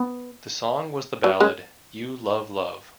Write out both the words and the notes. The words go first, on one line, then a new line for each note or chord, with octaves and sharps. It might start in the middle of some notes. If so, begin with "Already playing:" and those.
The song was the ballad "You Love Love".
Already playing: B3
F#3
G#3 C#4